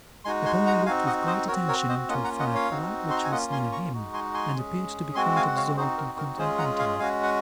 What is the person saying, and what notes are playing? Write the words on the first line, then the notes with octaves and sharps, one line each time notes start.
The pony looked with great attention into a fire-plug which was near him, and appeared to be quite absorbed in contemplating it.
G#3 D#4 F#4 G#5 C6
G#5 C6
F#5 A#5
C4 D#4 F#4 F5 G#5
D#5 F#5
C5 D#5
C4 F#4 A#4 C#5
A#4 C#5
C5 D#5
A#3 C#4 F4 D#5 F#5
F#5 A#5
D#5 F#5
C#5 F5
C4 D#4 F#4
C6
A#5
G#5
A#3 C#4 F4 D#5 F#5
G#5 C6
A#5 C#6
G#3 D#4 F#4
G#5 C6
G#5 C6
G#3 C#4 G#4
G#3 C4 F#4 G#5 C6
F5 G#5
F#5
C#5 F5
C4 D#4 F#4 G#4 C5
A#4
A#4
G#3 C#4 F4 G#4 C5
F#5 A#5
F5 G#5
G#3 C#4 F#4 F5 G#5
F#5